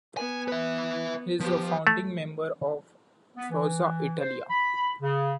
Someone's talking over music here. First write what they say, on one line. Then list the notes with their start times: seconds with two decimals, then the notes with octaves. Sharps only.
He is a founding member of Forza Italia.
0.17 B3 G#5
0.48 B4 E5
1.40 F3 B3 G4
1.87 A3
3.37 B3
3.51 E3
4.20 C5
4.50 B5
5.02 C#3